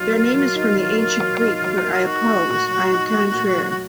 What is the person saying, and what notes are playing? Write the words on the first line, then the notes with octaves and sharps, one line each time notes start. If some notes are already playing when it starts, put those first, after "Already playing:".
Their name is from the ancient Greek for "I oppose; I am contrary".
Already playing: F#3 D#4 F4
A#3
F#3
D#4
F#3
A#3
F#3
D#4
F#3
A#3
D#4 F#4
A3
A#2
F#3
D#4
A3
A#2
F#3
F#4